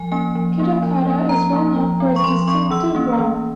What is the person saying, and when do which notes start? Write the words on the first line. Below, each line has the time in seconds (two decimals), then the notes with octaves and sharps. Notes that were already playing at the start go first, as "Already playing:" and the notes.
Kitakata is well known for its distinctive ramen.
Already playing: F3 G#5
0.12 A#3 C#4 G#5
0.35 F3
0.59 A#3 C#4
0.82 F3
1.06 A#3 C#4
1.29 F3 A#5
1.53 A#3 C#4
1.76 F3
2.00 C4
2.16 C#6
2.24 F3 C6
2.48 C4 C#6
2.71 E3 E6
2.95 A#3 C#4
3.19 E3